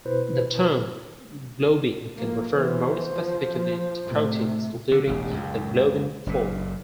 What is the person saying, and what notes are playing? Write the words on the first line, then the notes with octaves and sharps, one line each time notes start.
The term globin can refer more specifically to proteins including the globin fold.
B2 E4 B4 C5
F3 A#3
E3 B3 C5
F3
A2 C3 A3
D3
E1 A1 C#3
C#2 F#2
F#1 A#2